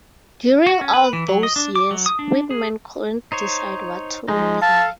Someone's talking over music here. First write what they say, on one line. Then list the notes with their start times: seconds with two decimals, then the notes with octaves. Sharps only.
During all those years, Whitman couldn't decide what to reply.
0.67 F#4
0.81 C#4
0.94 B4
1.13 E3
1.28 F#3
1.43 D#5
1.56 D4
1.76 D6
1.91 F#3
2.06 D#6
2.19 D4
2.51 G#4
3.32 D#4 C5 C#5
4.28 F3 G#3 D#4
4.62 A4 F5 A5